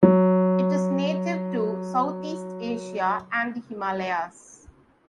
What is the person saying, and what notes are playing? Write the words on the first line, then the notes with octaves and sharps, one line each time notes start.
It is native to Southeast Asia and the Himalayas.
F#3